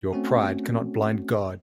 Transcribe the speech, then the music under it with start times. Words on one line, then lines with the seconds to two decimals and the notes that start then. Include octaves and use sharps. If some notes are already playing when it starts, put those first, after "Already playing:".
Your pride cannot blind God!
0.13 A3 C4 C#4 F#4